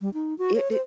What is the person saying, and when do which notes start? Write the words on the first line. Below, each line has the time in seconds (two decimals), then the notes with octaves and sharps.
It it
0.02 G3
0.14 D#4
0.39 F#4
0.56 C#5
0.72 C5